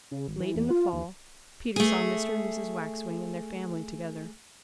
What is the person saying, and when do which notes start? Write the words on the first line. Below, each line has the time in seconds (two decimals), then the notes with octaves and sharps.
Late in the fall Peter saw Mr. and Mrs. Waxwing and their family together.
0.11 C#3
0.28 G#1
0.40 E3
0.56 E2
0.70 F4
0.93 D#2
1.76 A3 G#4